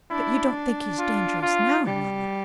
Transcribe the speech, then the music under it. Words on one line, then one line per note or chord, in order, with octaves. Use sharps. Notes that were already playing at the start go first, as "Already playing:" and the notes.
"But you don't think he is dangerous now, mamma?"
D4 E4
F4
F4
G3